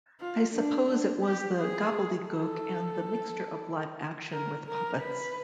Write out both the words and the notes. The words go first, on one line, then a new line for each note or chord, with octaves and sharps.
I suppose it was the gobbledegook and the mixture of live action with puppets.
F4
D4
D4
G4
G#4
A4
A#4
A#4
B4